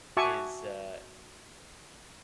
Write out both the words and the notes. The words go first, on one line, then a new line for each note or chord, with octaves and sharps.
is, uh
F#4 E5 G#5 A5 C#6 D6